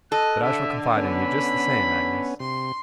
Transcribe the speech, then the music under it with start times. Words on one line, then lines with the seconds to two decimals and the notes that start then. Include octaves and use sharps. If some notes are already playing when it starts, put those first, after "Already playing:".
'But I shall confide in you, just the same, Agnes.
0.12 A4 D#5 F#6
0.43 D3 E5
0.96 B3 C#4 B5
2.40 C3 C6